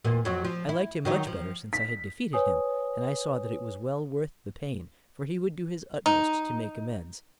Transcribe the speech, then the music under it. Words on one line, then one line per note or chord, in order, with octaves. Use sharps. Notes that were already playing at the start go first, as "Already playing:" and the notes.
I liked him much better since I had defeated him; and I saw that it was well worth the pain, for he would do his utmost to make amends.
E2 A#2 A#3
F2 F#3
F3
E4
D#3 F#3 D#4
F3
B6
B4 C#5 G#5 D#6
D#4